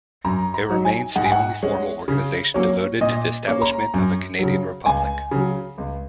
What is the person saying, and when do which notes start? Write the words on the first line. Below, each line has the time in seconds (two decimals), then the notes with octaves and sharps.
It remains the only formal organization devoted to the establishment of a Canadian republic.
0.24 F#2 A#5
0.54 A#5
0.70 F#3 D#4
0.85 G#5
1.16 G#2 F#5
1.25 G#5
1.32 F#5
1.63 G#3 C#4
2.08 C#3
2.54 F#3 A#3 C#4
3.01 A#2 D#5
3.47 A#3 C#4
3.62 A#5
3.94 F#2
4.39 C#3 F#3
4.86 C#2 G#5
5.31 C#3 F#3
5.78 C#2